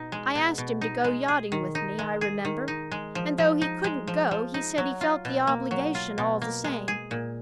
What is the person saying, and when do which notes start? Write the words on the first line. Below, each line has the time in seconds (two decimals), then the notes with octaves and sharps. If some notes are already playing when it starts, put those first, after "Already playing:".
I asked him to go yachting with me, I remember; and, though he couldn't go, he said he felt the obligation all the same.
Already playing: B2 D#4
0.12 G#3
0.35 B2
0.58 B2
0.81 D#4
1.04 G#3
1.28 G#4
1.52 D#3
1.75 D#4
1.99 G#3
2.21 G#4
2.45 D#3
2.68 D#4
2.91 G#3
3.15 F3
3.38 F3
3.61 D#4
3.84 G#3
4.07 F3
4.31 F3
4.54 D#4
4.78 F#3
5.01 F4
5.25 B2
5.47 A#3
5.71 F#3
5.95 F4
6.18 B2
6.42 A#3
6.64 G#3
6.88 G#4
7.11 A#2